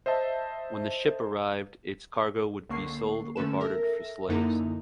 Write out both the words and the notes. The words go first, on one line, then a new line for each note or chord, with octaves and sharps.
When the ship arrived, its cargo would be sold or bartered for slaves.
C5 D#5 E5 A5
C#2 D3 A#3 C#6 C7
D3 A3 C#4 B4 E7
A4 A#4 E5 A#6
F#2 D3 A#3 D#4 E4 A#5